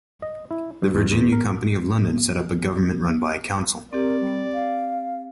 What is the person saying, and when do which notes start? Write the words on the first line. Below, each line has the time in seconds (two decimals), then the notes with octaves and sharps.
The Virginia Company of London set up a government run by a council.
0.22 D#5
0.51 E4
0.82 G2
0.95 E2
1.11 E2
1.32 A#4
3.93 C4 G4 A#4 D5
4.20 G3
4.53 F5